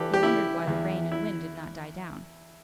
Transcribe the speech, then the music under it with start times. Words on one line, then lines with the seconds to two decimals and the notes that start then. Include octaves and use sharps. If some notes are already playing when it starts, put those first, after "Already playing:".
He wondered why the rain and wind did not die down.
Already playing: E3 G4 A4 B4
0.14 G4
0.23 E4
0.67 E2
1.12 E4